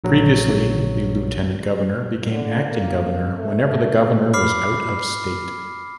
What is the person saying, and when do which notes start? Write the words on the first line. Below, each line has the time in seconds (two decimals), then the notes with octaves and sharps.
Previously, the Lieutenant Governor became acting Governor whenever the Governor was out of state.
0.04 A#1 F#3
2.31 D3
2.71 A#3
3.38 A3
4.33 B5 D6 F6 C7